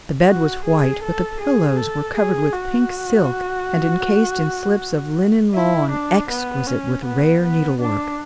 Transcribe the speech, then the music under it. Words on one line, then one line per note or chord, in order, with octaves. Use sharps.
The bed was white, but the pillows were covered with pink silk and encased in slips of linen lawn, exquisite with rare needlework.
F#4
G#4
A4
G#4
A4
G#4
F#4
E4
D4
B3
C#4
B3
B3
D4